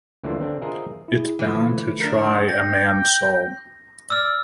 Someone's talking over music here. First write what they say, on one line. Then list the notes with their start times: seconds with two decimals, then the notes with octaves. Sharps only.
It's bound to try a man's soul.
0.23 C#2 E3 A3 A#3 D4 F4
0.39 D3 C4 D4
0.62 F4 G#4 A#4 C5 D#5 E5
1.08 E4 G#4
1.39 D3 E3 F3 A3
2.00 D4 A#4
2.49 G5 A#6
4.10 D5 E6 F6